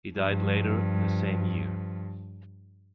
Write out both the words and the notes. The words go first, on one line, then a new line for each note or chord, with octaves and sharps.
He died later the same year.
G2 F3